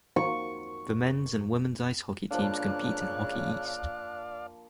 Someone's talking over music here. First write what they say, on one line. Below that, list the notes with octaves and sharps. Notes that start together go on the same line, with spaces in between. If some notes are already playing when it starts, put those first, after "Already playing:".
The men's and women's ice hockey teams compete in Hockey East.
C#6
C#3 F3 A#3 D4 D5 F5 F#6